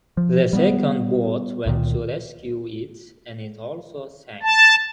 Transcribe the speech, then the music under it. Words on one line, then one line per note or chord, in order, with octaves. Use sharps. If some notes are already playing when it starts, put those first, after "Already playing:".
The second boat went to rescue it and it also sank.
F3
G3 A#3 B3
C#2 A#2 D#3
A5